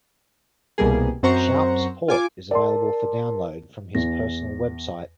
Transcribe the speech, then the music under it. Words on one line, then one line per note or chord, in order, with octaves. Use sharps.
Shoup's port is available for download from his personal website.
C2 B2 G3 A#3 G#4
F#2 C4 C5 F#5 A#5 C#6
F4 G#5 D6
A#4 D5 A5 C6
E2 A#6